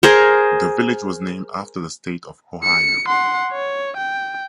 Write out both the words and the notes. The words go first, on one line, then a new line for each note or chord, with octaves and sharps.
The village was named after the state of Ohio.
G#4 A#4 C5
C#7
F#5 C6
C#5
G5